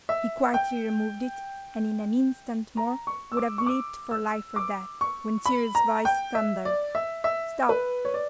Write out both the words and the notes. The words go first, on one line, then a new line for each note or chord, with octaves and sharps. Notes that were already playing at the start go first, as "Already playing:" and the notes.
He quietly removed it, and in an instant more would have leapt for life or death, when Cyril's voice thundered 'Stop!'
E5
G5
A#5
C#6
E6
D6
C#6
D6
E6
D6
C#6
B5
A#5
G5
E5
D5
E5
E5
B4
C#5
D5